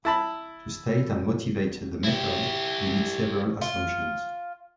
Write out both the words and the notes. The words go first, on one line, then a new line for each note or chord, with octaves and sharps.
To state and motivate the method, we need several assumptions.
E4 A5 B5
E4 G4
F4